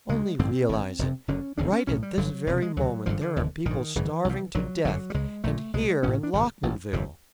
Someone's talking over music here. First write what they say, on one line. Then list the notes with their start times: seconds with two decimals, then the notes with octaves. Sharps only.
Only realize it--right at this very moment there are people starving to death--and here in Lockmanville!
0.09 D2 C#3 G#3
0.39 A1 G2 D3 C4
0.69 G#1 G#2
0.99 F1 F2 C3
1.28 F#1 F#2 D3 C#4
1.58 E1 D#2 C#3 D4
1.65 C4
1.73 C#4
1.87 B1 A2 C#4
2.03 G3
2.18 G1 G2 D3 F#3
2.47 E1 D2 C3 F3
2.62 G#3
2.76 D2 C3 F#3
3.06 G#1 G2 D3 F3
3.21 D3
3.36 F1 D#2 D3
3.65 A#1 G#2 D#3
3.95 G#1 F#2 C#3 E3
4.25 C2 C3
4.55 A#1 A#2 F#3
4.85 G1 F#2 D3 F#3
5.10 G3
5.14 C#2 C#3 G#3
5.44 A#1 A#2 A3
5.74 C2 B2 G#3
6.03 A1 A2 C#4
6.14 C#4
6.23 D4
6.33 G#1 F#2 C#3
6.63 A1 A2
6.93 G1 F2 C3